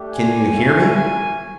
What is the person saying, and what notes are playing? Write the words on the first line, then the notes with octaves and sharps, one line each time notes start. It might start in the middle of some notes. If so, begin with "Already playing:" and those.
Can you hear me?
Already playing: A3 D4 G4
G#5
A#3 C#4 E4
G#5